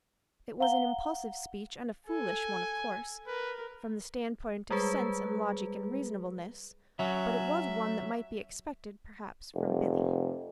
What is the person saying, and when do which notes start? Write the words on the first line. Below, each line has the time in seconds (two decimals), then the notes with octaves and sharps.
It was an impulsive speech, and a foolish one, of course, from the standpoint of sense and logic and reasonableness; but it was one that might be expected, perhaps, from Billy.
0.60 F5 F#5 A#5 G7
2.06 A4 G#5
3.27 A#4 B4
4.71 G3 G#3 G#4 B4
6.99 F#3 C#4 E5
9.54 F1